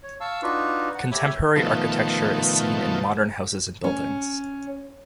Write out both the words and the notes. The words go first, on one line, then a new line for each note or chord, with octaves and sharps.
Contemporary architecture is seen in modern houses and buildings.
C#5
F5 A5 C#6 E6
D4 D#4 F4 F#4 B4
F#5
G4 A4 C#5 E5 B5
B2 D#3 F3 A3
C#4